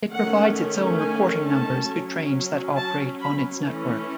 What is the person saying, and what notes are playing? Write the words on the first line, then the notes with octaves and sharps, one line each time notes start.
It provides its own reporting numbers to trains that operate on its network.
D#3 A3 C#4 F#5
G#5
A5
F#3 C#4
A5
B5
E3 A3 C#4